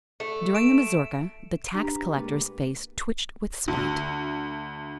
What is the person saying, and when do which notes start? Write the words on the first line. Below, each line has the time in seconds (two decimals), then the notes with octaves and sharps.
During the mazurka the tax-collector's face twitched with spite.
0.20 A3
0.55 D7 E7
1.74 D4 G4 B4 A#5
2.15 A#2 G#3 B4
3.68 D2